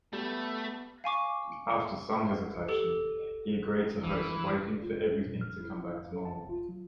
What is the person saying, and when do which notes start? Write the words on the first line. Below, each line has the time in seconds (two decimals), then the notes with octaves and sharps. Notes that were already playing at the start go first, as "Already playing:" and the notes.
After some hesitation, he agreed to host waiting for everything to come back to normal.
0.13 G3 A3 B3
1.04 F5 G#5 C#6 D6
2.68 G4 A4
4.03 E3
4.82 F4
5.11 C#4
5.26 A#2
5.41 F6
5.60 E4
5.78 E4
5.94 F5
6.12 A4
6.25 A5
6.49 F4
6.69 F#3